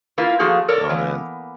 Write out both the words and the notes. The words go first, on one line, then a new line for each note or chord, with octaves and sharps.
Aw, man.
A#3 E4 F4 B4
F3 A3 A#3 F#4 G#4
A4 A#4 C#5 D5
E3 A#3 B3